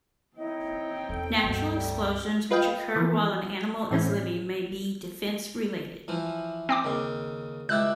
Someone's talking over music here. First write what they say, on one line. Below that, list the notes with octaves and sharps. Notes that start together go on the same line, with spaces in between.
Natural explosions which occur while an animal is living may be defense-related.
C4 D#4 E4 C#5 D#5 G5
E2 C3 A4
C#2 G2 B2 B3
G3 A3 D#4
F4 B4 D#5 F5 G5
E3 F3
A2 E3 C4 C#4
E3 F3
C4 G5 D6
D#2 C#3
C#2 E4 G4 F#6